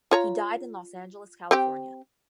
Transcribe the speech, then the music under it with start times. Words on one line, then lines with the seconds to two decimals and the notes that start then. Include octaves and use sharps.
He died in Los Angeles, California.
0.11 F4 C#5 A#5
1.51 C4 G4 G5